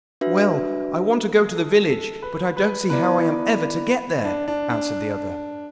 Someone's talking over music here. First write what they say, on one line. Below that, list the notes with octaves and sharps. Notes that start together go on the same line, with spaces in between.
'Well, I want to go to the village; but I don't see how I am ever to get there,' answered the other.
D4 F#4 B4 E5
A4
A4
B4
B4
B3 E4 B4 D5
D4
D4
D4